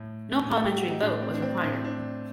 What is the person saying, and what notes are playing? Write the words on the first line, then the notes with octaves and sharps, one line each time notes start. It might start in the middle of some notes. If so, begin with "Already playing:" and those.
No parliamentary vote was required.
Already playing: A2
A2
A4
G4
F#4
D#4
A2 D4
C4
D4
C4
A2 D4
C4
D4